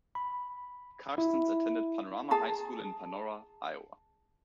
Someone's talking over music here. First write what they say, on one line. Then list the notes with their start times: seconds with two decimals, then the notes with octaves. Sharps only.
Carstens attended Panorama High School in Panora, Iowa.
0.15 B5
1.18 E4
2.31 G#4 A5 A#5